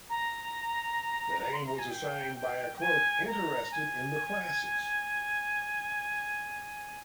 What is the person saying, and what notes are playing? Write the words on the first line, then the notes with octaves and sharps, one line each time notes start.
The name was assigned by a clerk interested in the classics.
A#5
C6
A#5
G#5
G5
G5
G5
G#5
A#5
G#5